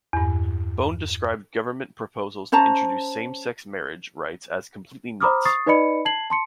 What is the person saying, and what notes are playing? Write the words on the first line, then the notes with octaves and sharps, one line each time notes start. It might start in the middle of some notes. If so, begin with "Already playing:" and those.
Bone described government proposals to introduce same-sex marriage rights as "completely nuts".
E2 G2
C#4 C5 A5 A#5
C5 A#5 B5 D6 D#6 F6
C#6 D#6 A6 C7
D#4 B4 D5 D#5 B5 C#7
A5 G#6 C7 F#7
A5 C6 C#7